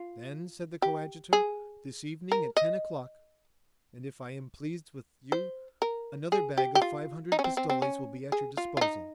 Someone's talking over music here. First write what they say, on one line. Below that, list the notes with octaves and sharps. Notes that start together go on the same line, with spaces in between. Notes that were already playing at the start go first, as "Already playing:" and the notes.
"Then," said the coadjutor, "this evening, at ten o'clock, and if I am pleased with you another bag of five hundred pistoles will be at your disposal."
Already playing: F4
G4
G#4
A#4
D#5
C5
A#4
G#4
G4
G4
F4
D#4
C#4
C4
C4
C4
C#4
G#4
F4
F4
D#4